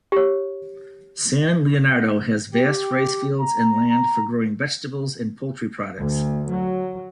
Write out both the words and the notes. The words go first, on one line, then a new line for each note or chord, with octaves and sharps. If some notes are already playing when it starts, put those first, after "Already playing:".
San Leonardo has vast rice fields and land for growing vegetables and poultry products.
G4 C#5
G4
A#5
D2
F#3